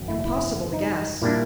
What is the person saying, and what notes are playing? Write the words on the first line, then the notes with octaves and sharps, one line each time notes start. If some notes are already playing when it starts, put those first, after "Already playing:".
Impossible to guess.
Already playing: G#1 F#2 C#3
E4
E4
D#4
A#2 G3 A#3 D4 E4